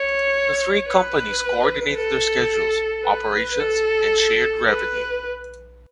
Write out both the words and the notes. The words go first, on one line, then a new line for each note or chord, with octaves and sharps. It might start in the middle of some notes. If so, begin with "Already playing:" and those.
The three companies coordinated their schedules, operations, and shared revenue.
Already playing: C#5
B4
A4
B4
A4
B4